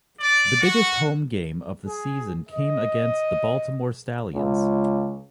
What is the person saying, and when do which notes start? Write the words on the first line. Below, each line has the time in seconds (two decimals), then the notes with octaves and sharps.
The biggest home game of the season came against the Baltimore Stallions.
0.20 D5
0.61 F#4
1.87 G#4
2.49 D#5
4.35 C#2